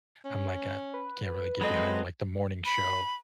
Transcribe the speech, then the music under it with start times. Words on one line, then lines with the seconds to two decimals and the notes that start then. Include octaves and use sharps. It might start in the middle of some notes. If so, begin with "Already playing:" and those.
I'm like, uh, I can't really get behind 'em, like The Morning Show,
0.25 C#4
0.94 B4
1.61 F#3 G#3 C4 A4 D#5 B5
2.65 B5